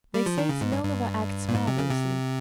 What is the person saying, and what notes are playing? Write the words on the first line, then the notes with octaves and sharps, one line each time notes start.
They say Semenova acts marvelously.
G3
F3
D#3
C#3
G#2
G2
G2
A#2
G#2
C3
C#3
C3